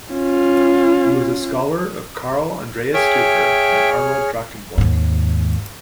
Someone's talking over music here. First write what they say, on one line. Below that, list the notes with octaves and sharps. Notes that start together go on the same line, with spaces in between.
He was a scholar of Karl Andreas Duker and Arnold Drakenborch.
C#4 F4
G#4 C#5 E5 G5 F6
D#2 G#2